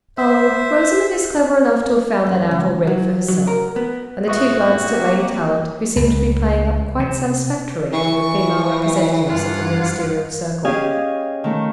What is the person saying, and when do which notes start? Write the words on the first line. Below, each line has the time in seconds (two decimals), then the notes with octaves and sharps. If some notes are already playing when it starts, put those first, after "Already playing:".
'Oh, Rosamond is clever enough to have found that out already for herself;' and the two glanced at Lady Tallant, who seemed to be playing up quite satisfactorily to the female representatives of the Ministerial circle.
0.17 C5 E5
2.27 F#2
2.51 C#2
2.87 F#3
3.28 F#3
3.47 A#4
3.76 B3
4.28 A2 G#3 B3 F4 F#4 E5 C#6 D#6
4.90 A#3 C4 G4
5.96 C#2
7.00 C3
7.93 E3 C#6
9.28 G2 F4 F#5
10.65 C#4 G4 G#4 D#5 F5 G#5
11.44 D#3 A3